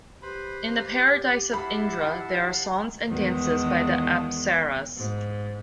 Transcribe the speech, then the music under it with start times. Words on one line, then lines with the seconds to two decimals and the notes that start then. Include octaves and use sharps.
In the Paradise of Indra there are songs and dances by the apsaras.
0.22 G4 B4 C5 B5
1.53 E4 F5 F#5 A5 B5
3.08 E2 D#3 G#3
4.96 G#2